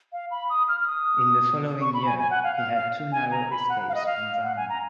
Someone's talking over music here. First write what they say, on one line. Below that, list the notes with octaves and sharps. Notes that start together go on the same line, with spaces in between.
In the following year, he had two narrow escapes from drowning.
F5
B5
D#6
F6
F6
D#6
C#6
B5
G#5
G#5
F#5
F5
F5
F5
G#5
A#5
B5
F#5
F5
D#5
F5
F#5
G#5
A#5